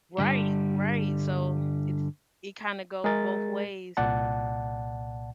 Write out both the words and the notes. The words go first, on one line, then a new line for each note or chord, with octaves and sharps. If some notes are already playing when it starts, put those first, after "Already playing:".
Right, right, so, it's it kinda goes both ways.
G2 D3 G3
G#3 G#4 A#4 A6
C2 A#2 D5 F#5 A5